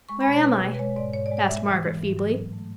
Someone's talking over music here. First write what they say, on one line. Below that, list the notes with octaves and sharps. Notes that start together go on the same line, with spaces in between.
"Where am I?" asked Margaret feebly.
G#3 C#6
B5
B2
C#5
G#3 B4
B2
B4
G#3 C#5
G#2 D5
G#2 C#5
D5
G#3
D5
G#3 E5
E3
E3
G#2
F#3
A2
A3